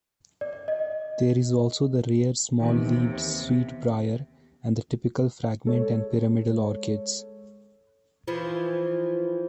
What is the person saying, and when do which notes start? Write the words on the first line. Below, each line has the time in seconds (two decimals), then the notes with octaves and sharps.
There is also the rare small-leaved sweet-briar, and the typical fragrant and pyramidal orchids.
0.41 D5
0.68 D#5
2.60 D#2 C3 D#3 E3 B3
5.65 G#3 A4 C#5
8.28 E3 F3